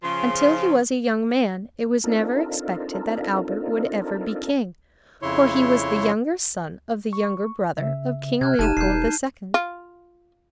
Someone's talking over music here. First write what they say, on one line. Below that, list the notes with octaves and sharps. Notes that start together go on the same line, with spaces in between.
Until he was a young man it was never expected that Albert would ever be King, for he was the younger son of the younger brother of King Leopold the Second.
C#3 F3 C6
C4 D4 D#4 F4 A4 A#4
F2 C#3 E4 C#5 C6
C#6
C#3 E5
C3 F6 F#6 G#6
F#1 D#4 G4 A5 D#7 E7
E1 G6 C7
F4